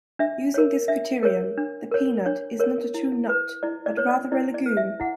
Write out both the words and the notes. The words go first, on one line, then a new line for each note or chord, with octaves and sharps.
Using this criterion, the peanut is not a true nut, but rather a legume.
D4 E5
A#4 C#5
D4 E5
A#4 C#5
D4
A#4 C#5
D4 C#5
A#4 C#5
E4
B4
E4 D5
D5
B4 C#5
D5
E4 D5
D5
B4
E5
E4 F#5